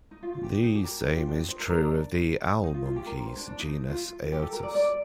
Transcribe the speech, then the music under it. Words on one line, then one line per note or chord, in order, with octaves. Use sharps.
The same is true of the owl monkeys, genus "Aotus".
D#4
F4
F4
G4
D#4
D#4
G4
A#4
G4
F4
D4
D#4
C5
A#4
A#4
D4
D#4
F4
F4
G4
A#4
C5
C5
D4
D4
D#4
F4
G4
A4
A#4
D5
D5